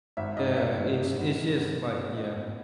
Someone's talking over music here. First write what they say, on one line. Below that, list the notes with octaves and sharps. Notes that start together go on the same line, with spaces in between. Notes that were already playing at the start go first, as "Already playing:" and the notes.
Yeah, it's it's just, like yeah.
G#1 E5
G#1 D#5
G#1 E5
G#1
G#1
G#1
E3
G#1
B3
A1
A2 D#5
B3